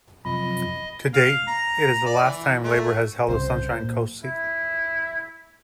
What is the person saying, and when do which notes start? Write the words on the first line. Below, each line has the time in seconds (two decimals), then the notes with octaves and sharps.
To date, it is the last time Labor has held a Sunshine Coast seat.
0.25 F#2 C3 F3 D#5 B5
1.14 F5
1.48 A#5
2.06 D5
2.23 E3
2.63 A3
3.28 C2 C#3 C5
3.69 A#2
4.24 E4